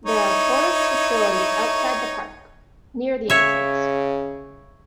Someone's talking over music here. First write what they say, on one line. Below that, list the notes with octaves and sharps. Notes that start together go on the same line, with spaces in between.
There are tourist facilities outside the park, near the entrance.
D#4 E4 C#5
C#3 C#5 E5